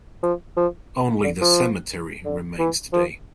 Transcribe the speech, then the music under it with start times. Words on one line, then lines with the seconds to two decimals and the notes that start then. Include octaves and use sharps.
Only the cemetery remains today.
0.23 F3
0.57 F3
1.24 D3
1.41 F3
2.25 D3
2.59 E3
2.93 F3